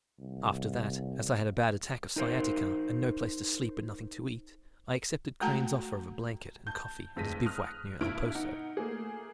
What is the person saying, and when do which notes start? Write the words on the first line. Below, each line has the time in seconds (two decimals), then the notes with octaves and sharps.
After that, as I had a bad attack of sciatica and no place to sleep and nothing to eat, I accepted Crane's offer of a blanket and coffee at his bivouac near El Poso.
0.19 C2
2.16 D#4 A#4 C5
5.41 G#3 A3 F#4 A4 A5 A#5
6.67 A5 G6
7.16 F1 F2 G#3 A#6 B6 D#7
7.46 D#6 F6 F#6
8.01 G2 B2 E4 F6 D7
8.35 D#4 F#5
8.77 A3 A#3 G#4